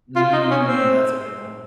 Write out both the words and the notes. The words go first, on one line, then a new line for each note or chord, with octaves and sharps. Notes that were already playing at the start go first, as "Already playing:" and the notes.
Mm. That's a good one.
F4
D#4
C#4
C4